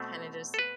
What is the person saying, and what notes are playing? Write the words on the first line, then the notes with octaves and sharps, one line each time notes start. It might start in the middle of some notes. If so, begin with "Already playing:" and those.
kinda just
Already playing: B2 A3 C4
A4
B4